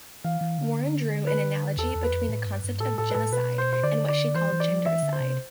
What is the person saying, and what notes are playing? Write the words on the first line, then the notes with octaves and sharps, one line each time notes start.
Warren drew "an analogy between the concept of genocide" and what she called "gendercide".
E3 F5
E3
D3
B4
E2 A4
E2
B4
F2
A2
G2
G2
A2 A4
A2 A4
B4
A2 A4
B2 B4
C5
C5
D3 D5
D5
E3 C5
E3
D5
F3
E3 E5
D3
C5
C3